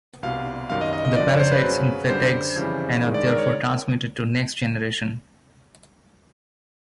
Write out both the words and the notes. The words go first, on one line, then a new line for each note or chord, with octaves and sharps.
The parasites infect eggs and are therefore transmitted to next generation.
C2 B2 G3 F5
F#2 D#3 G3 F5
D#5
D#5
D#5
F#2 D3 F3 D5
C#5
C5
B4
F#2 C#3 F#3
F#2 D3 G3 C5
F2 C#3 E3 G3
G2 D#3 G#3
D5
A#4
C#5